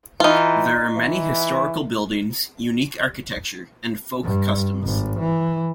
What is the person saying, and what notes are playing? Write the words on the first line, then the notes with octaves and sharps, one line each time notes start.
There are many historical buildings, unique architecture and folk customs.
E3 D#4 F4
E3
G2
G#1
E3